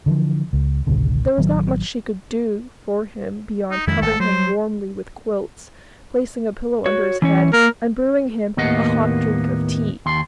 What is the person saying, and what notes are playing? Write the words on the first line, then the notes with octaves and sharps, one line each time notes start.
There was not much she could do for him beyond covering him warmly with quilts, placing a pillow under his head, and brewing him a hot drink of tea.
D3 E3 F3
C#2
G#1 C#2 B2 D3
A1 D#3 F#3 B3
D#4
F2 D#3 G#3 E4
G#1 A4
F#3 C5
F#4 C#5
E3 C#4 C#5
A#3 A#4
D#2 A2 A#3 B3 D#5 F#5
D#2 C6